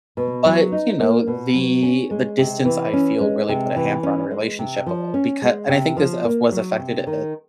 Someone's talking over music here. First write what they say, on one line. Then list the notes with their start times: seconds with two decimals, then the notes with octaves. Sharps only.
But, you know, the the distance I feel really put a hamper on our relationship, bu becau and I think this of was affected, uh,
0.17 B2
0.45 F#3
0.72 D#4
1.00 A#3
1.27 B2
1.55 F#3
1.83 C#4
2.11 G#3
2.38 C3
2.65 E3
2.93 C#4
3.21 G#3
3.49 C3
3.76 E3
4.03 C#4
4.31 G#3
4.59 C3
4.86 F3
5.14 C#4
5.42 G#3
5.68 C3
5.97 F3
6.25 A#3
6.52 F#3
6.79 C3
7.07 D#3